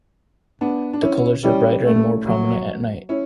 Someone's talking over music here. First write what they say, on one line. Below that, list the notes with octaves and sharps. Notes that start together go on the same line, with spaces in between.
The colors are brighter and more prominent at night.
B3 D4
D4
C#4 E4
G3 C#4 E4
A3
F#3
C#4 E4